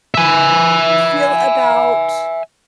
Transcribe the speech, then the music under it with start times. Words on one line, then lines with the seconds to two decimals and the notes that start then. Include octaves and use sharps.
feel about
0.15 E5 G#5